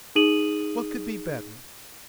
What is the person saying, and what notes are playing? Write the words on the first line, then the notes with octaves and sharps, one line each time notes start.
What could be better?
D#4 G#4 D#6 D#7 F#7